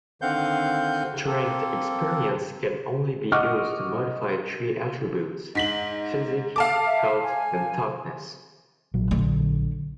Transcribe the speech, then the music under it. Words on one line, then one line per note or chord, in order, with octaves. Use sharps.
Strength experience can only be used to modify three attributes: Physique, Health, and Toughness.
D3 D#3 C4 F5 F#5 G6
A#3 C4 A4
D#5 F#5 C#6 D6 F6
G#2 D#5 B6 F#7
A4 F5 A5 D6
E5
G#5
A#1 F#3
D3